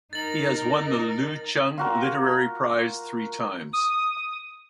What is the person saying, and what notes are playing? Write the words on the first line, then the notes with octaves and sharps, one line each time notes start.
He has won the Lu Xun Literary Prize three times.
D#4 A#4 A6 F#7
F4 F#4 A#4
D#6